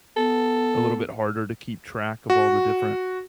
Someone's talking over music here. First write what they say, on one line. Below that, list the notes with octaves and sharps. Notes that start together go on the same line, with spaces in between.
a little bit harder to keep track of all the different
B3 A4
F#4